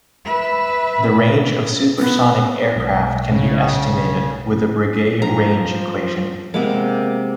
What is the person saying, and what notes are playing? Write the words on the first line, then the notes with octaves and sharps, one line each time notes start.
The range of supersonic aircraft can be estimated with the Breguet range equation.
B4 E5
B3
B1 G#3
C#3
F3 A#5
C3 G#3 A#3 B3 D6